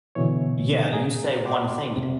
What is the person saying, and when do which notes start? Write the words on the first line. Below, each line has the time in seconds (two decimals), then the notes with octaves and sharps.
yeah, you say one thing
0.15 B2 D3 E3 C#5
0.93 G#4 A#5
1.45 D5 F#5 G5 B5 C6 D6
1.96 F2 C3